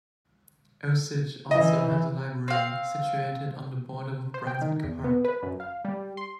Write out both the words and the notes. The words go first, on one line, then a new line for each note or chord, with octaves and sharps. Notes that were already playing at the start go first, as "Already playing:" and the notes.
Osidge also has a library, situated on the border with Brunswick Park.
E3 D#5
C4 F5
C5
G5
D#3
E2
B3
B4
F#2
F5
G3
C6